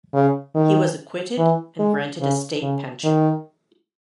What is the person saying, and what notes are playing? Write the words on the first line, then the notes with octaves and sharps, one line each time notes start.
He was acquitted and granted a state pension.
C#3
D#3
E3
G#3
C#3
C#3
D#3